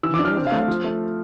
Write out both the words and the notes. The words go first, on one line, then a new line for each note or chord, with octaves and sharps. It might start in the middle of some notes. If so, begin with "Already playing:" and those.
"You know that?"
E3 E6
D6
D4
F6
C4
F5
A3
F3
A3